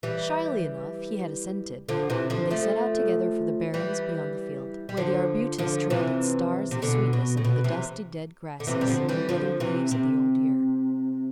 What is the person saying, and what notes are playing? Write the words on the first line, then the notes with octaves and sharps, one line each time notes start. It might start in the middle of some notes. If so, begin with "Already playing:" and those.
Shyly enough he had assented, and they set out together for the barrens beyond the field, where the arbutus trailed its stars of sweetness under the dusty dead grasses and withered leaves of the old year.
E3 G3
D3 F3
C3 E3
D3 F3
F3 A3
E3 G3
G3
D3 F3
D3 F3
C3 E3
C3
B2 D3
B2
A2
B2
C3 E3
D3
C3 E3
G3
D3 F3
E3 G3
D3 F3
C3 E3
C3